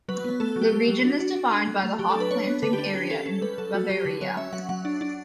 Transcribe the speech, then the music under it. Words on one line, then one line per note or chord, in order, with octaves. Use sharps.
The region is defined by the hop-planting area in Bavaria.
F#3 B4
B3
A3 A4
F#3
G4
A3
F#3
D4 F#4
D4 F#4
D4
D4
F#3
A3
F#3 G4
A4
D4 B4
D4 C#5
B3
D3 B4
G4
D4
B4
C#4 G4
C#4 A4
C#4 A4
G3 B4
F#3 A4
A3 F#4
F#3 G4
D3 B4
F#3 C#5
C#4 E5
F#3 F#5
F#3 F#5
D4
D4